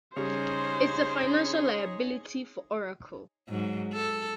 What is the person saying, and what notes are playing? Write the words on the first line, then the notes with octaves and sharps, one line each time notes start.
It's a financial liability for Oracle.
C#3 G3 D#4 G#4 C5 C#5
G#2 F#3
A4